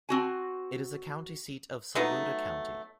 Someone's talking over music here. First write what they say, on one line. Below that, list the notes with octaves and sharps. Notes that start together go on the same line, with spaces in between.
It is the county seat of Saluda County.
C4 F#4 G#5
F#3 A3 B3 D#4